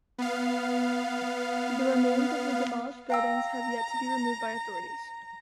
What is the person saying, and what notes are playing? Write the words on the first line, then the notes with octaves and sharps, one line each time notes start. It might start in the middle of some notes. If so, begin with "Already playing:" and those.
The remains of the demolished buildings have yet to be removed by authorities.
B3 F5
F5 G5 A#5 E6